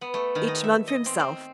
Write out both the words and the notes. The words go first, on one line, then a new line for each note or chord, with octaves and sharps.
Each man for himself.
B3
A3
D#3
D#5
E5
D#5
C4
C4